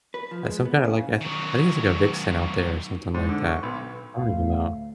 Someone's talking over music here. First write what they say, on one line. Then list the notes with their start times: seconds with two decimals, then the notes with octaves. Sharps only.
like, some kinda, like, I I think it's like a vixen out there or something like that. I don't even know.
0.14 B4
0.31 F3
0.45 G#3
0.65 B3
0.84 C#3
1.21 D#3 F#3
3.14 G#2
3.29 D3
3.46 C#6
3.63 B1
4.15 D2 A2 A3 F5